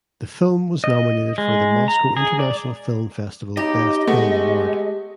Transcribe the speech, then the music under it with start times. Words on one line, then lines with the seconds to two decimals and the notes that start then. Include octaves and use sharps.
The film was nominated for the Moscow International Film Festival best film award.
0.84 D#5
1.38 G#3
1.88 A#5
2.17 G#4
2.39 D5
3.57 D#4 G4 D#5
4.07 G#3 A3 B3